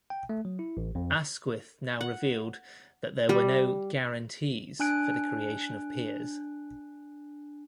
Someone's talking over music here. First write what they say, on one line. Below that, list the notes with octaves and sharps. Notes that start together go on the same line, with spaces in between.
Asquith now revealed that there were no "guarantees" for the creation of peers.
G5
A3
F#3
E4
A1
F2
F#5
G3
D4 G#5 F#6 D7